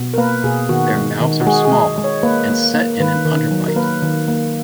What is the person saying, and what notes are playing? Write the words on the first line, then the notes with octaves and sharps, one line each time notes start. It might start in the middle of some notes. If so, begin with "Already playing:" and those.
Their mouths are small and set in an underbite.
Already playing: B2
A#4
A#3 B4
B2 G#4
D#3 F#4
G#3
D#3
F#4
G#3 G#4
G#4
G#3
G#3
C#5
A#3 B4
A#3
A#3
D#3 B4
D#3
F#3
A#4
A#3 B4
D#3
A#3